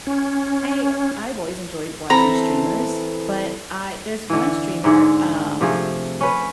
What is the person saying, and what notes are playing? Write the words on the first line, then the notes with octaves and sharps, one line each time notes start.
I've always enjoyed watching streamers, but I there's one streamer, um,
C#4
E3 C4 A4 A#5 B5
D3 E3
G#2 D3 G#4
C3 F3 A3 G#4
C#4 B4